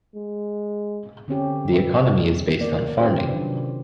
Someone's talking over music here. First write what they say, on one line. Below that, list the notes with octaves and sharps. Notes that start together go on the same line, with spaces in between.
The economy is based on farming.
G#3
D3 C4 C#4 G4
E3 B4 E5
A#3 D5
D#3 C#4 F4 G4 B4 C5
C3 F#3 D4